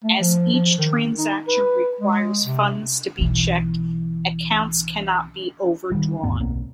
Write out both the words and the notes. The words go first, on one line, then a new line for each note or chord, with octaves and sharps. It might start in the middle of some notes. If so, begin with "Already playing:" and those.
As each transaction requires funds to be checked, accounts cannot be overdrawn.
A3
F3
F3
D#3
D#4
B4
G#3
C3
B1 E3
D#3 G3
D#1 D2 G2 B3
B1 A#3 C4